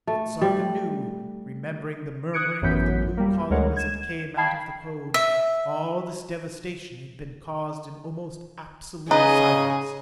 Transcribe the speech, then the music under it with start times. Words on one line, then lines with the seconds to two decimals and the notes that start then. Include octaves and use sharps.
Yet, Sarka knew, remembering the murmuring of the blue column as it came out of the cone, all this devastation had been caused in almost absolute silence.
0.07 A3
0.41 G3
2.33 D#6 F#6 G#6 C#7 D7
2.62 A1 F#2 E3 B3 G6 B6
3.17 G3 A#3
3.50 D2 G#3 A#4 C#5 F#5
3.76 G#6 E7
4.37 F5 G5 A5 B5 G#6 C7
5.14 E5
9.11 C#3 D#4 G#4 B4 D#5